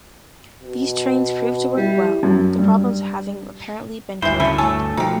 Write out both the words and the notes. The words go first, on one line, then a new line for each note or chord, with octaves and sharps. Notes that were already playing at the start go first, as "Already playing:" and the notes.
These trains proved to work well, the problems having apparently been corrected.
B2
G3 E4
F#2
G2
D2 G2 E3 E4 C5
C#3 E4 A4 G#5
A3 C#5 G#5 A5 E6
B2 F3 D#4 G4